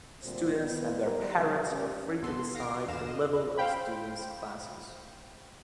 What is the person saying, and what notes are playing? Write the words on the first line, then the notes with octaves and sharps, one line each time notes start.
Students and their parents are free to decide the level of the students classes.
D2 A#2 G3 C4 C5
D#3 B3 E4 D5 D#5
D#3 G3 A#4
C3 F#3 G#3 D#4
C#4 G4
G#1 C#2 B3 A4 C6
F5 A#6 C7 D7
E2 D3 F5 A#6 E7
D#5
C5 F5 G5 B5